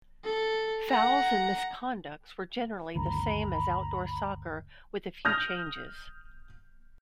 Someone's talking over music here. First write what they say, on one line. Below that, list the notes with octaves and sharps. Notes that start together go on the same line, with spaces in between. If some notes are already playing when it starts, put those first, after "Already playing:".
Fouls and misconducts were generally the same as outdoor soccer with a few changes.
A4
F#5 A#5
G1 D2 D#3 A#5 B5
D#6 F6 G6 A#6 F7